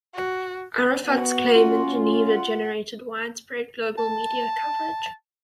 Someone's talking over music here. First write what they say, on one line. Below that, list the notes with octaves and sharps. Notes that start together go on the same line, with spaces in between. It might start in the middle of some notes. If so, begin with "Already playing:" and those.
Arafat's claims in Geneva generated widespread global media coverage.
F#4
B3 F#4
C#4 F4
F#5
A5